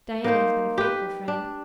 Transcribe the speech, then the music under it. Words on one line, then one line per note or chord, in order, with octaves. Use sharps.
Diana has been a faithful friend.
A#3 D#4 C5
G4 B4
D4